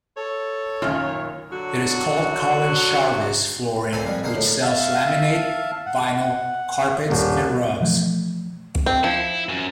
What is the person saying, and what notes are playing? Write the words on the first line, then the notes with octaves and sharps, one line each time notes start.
It is called Colin Charvis Flooring which sells laminate, vinyl, carpets and rugs.
A4 C#5
F#2 A#2 D#3 F4
D3 F#3 D4 F#4
A#2 C4 A4 G#5
F2 G3 G#3
D3 A#3 D#4 F4 G#4
A2
E5 F5 A5
F#5
D#1 G2 A#3
B2 E3 F3 A3
C4
F3 E4
F#2